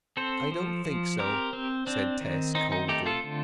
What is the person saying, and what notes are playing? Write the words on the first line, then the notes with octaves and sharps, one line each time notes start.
"I don't think so," said Tess coldly.
C4 A4 C5
F3
F3
C4 G4 A#4
C4
C4 D4
D#3
C4 D#4
D#4
A3 D#4 G4
F4 A4
D3